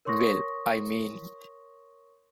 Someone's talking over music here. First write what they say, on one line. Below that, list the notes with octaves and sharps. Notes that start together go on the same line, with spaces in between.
Well, I mean!
A#4 C#5 C6 C#6 D#6 A#6